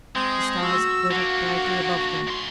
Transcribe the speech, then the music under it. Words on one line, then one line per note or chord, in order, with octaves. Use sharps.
The stars glittered brightly above them.
G#3 C4 D#6
F#4 E6
D3 A#3 F#5
F#2 C6